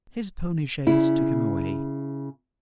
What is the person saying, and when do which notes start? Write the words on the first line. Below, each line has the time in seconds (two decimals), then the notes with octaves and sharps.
His pony-chaise took him away.
0.87 C#3 E4